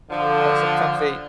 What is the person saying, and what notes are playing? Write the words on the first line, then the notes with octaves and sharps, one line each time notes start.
sometimes they
D3 F3